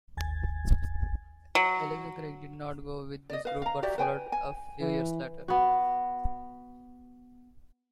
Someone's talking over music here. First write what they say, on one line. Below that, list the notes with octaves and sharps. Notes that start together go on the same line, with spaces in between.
Elijah Craig did not go with this group but followed a few years later.
G#1 D#2 G#5 G#6 A6
F#3
D5 D#5
B4 F5
F5 A#5
F#4 G4 D5 E5
B4 G5 G#5
G#5
E3
B3 F#4